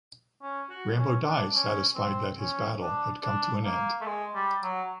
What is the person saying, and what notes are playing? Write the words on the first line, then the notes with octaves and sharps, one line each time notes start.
Rambo dies satisfied that his battle had come to an end.
C#4
F#4
C#4
D4
C#4
C4
C#4
D4
D4
A#3
A3
G#3
G3
F#3